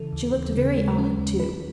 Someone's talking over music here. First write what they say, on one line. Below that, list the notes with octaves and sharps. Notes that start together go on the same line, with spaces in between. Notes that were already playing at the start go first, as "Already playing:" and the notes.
She looked very odd, too.
Already playing: C#3 E3 A4
D#2
D#2
C#3
G#3
C#4
D#2
D#3 B4